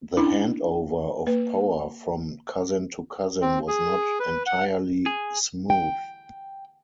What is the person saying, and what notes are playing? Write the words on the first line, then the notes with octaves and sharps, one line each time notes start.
The handover of power from cousin to cousin was not entirely smooth.
C#4 D4 E4
A#3 B4
C4
G#4
B4
F#5
G#4
G5